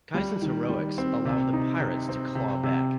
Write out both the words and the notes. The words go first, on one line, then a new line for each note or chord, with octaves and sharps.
Kison's heroics allowed the Pirates to claw back.
G3
D#3
G3
C4
C3
D#4
C3
C4
C3
C3